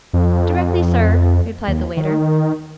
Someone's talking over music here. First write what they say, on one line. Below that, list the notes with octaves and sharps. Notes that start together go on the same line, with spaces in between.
'Directly, sir,' replied the waiter.
F2
D#2
D#3